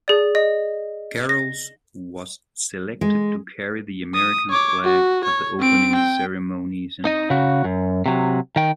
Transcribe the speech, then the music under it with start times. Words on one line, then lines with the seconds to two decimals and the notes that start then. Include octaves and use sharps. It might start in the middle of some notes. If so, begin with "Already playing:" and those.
Garrels was selected to carry the American flag at the opening ceremonies in London.
0.08 G#4 D5
0.35 D#5
1.29 A#6
3.01 G#3
4.15 D#6
4.50 C#5 D6
4.84 F#4
5.25 C#5
5.59 C4 D7
5.96 G5
7.05 D#4 D#5
7.30 C#3 F#4
7.64 F#2
8.06 C3 F#3
8.56 D#3 G5